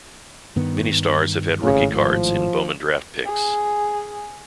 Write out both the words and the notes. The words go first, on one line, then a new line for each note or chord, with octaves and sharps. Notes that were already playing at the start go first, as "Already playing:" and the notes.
Many stars have had rookie cards in Bowman Draft Picks.
G2 D#3 B3
G#1 A2 C#3
F3
G#4